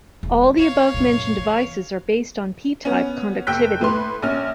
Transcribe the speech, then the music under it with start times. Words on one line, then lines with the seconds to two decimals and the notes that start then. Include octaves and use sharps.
All the above-mentioned devices are based on p-type conductivity.
0.23 E1 E2
0.58 D3 C#5 F5
0.94 F#2 A#2
1.38 E3
2.85 B3 C#4
3.47 F#1 G5 E6 F#6 G6 B6
3.81 A2 B4 C6
4.22 A#1 C#4 F6